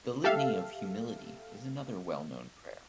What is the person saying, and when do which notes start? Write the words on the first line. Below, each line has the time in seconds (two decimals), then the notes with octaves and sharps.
The Litany of humility is another well-known prayer.
0.24 G4 A4 E5 F5